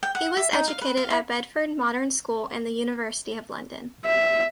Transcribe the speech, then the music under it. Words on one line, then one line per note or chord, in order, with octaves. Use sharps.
He was educated at Bedford Modern School and the University of London.
G5
F#5
E5
D#4
F5
B4
F5
E4
E5